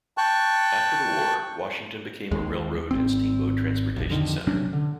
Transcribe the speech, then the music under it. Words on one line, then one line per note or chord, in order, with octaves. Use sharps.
After the war, Washington became a railroad and steamboat transportation center.
G5 A5 C#6 F#6
D#2 G#3
G#1 C4
E1 B1
F2 D3 D#3
C3 F#3 C#4 D4
D3